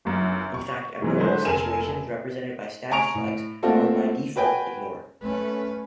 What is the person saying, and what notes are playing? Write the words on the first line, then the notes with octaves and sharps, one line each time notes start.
In fact, abnormal situations represented by status flags are by default ignored!
G1 F#2
C#6
G#2 E3 F#3
D3 G#3 A3 B4 C5
F1 A4 A#4 G#5 D#7 E7
G#5 A#5 C#6 D7 F7
A2
A3 A#3 C4 F4 F#4 A4
F#4 B4 G5 G#5
A3 C#4 B4